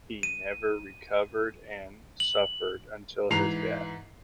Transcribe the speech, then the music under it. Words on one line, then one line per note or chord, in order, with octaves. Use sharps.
He never recovered and suffered until his death.
D#7
F#7
G#2 E3 A#5 C7 F7